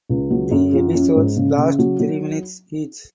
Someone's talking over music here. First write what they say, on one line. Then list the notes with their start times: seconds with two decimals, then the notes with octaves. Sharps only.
The episodes last three minutes each.
0.09 C#2
0.30 F#3
0.51 F#2
0.73 F3
0.94 C#4
1.15 G#2
1.36 C#3
1.58 C#3
1.79 F#3
1.99 F#3